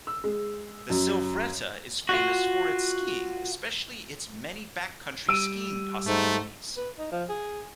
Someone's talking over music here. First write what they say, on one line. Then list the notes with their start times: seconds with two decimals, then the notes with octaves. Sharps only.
The Silvretta is famous for its skiing especially its many backcountry skiing possibilities.
0.07 E6
0.24 G#3
0.90 F#2
2.09 F4 F#4
5.29 G3 E6 D7 D#7
6.07 G#2 A3
6.77 B4
6.98 D#4
7.12 F3
7.29 G#4